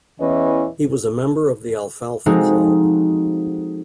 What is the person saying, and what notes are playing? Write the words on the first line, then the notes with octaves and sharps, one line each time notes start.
He was a member of the Alfalfa Club.
E2 E3 C#4 B4 D#5
F3 G#3 C4 D#4 F#4 A4